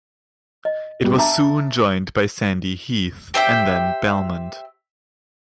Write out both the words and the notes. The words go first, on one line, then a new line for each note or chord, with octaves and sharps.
It was soon joined by Sandy Heath and then Belmont.
D#5
G3 B3 F#4
D4 E5 A5 A#5 D6
G4 C5 E5 G5